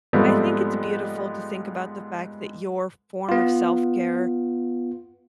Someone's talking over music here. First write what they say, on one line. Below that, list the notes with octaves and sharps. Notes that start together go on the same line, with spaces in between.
I think it's beautiful to think about the fact that your form of self-care
G#2 F3 G3 A3 B3 C4
B3 F4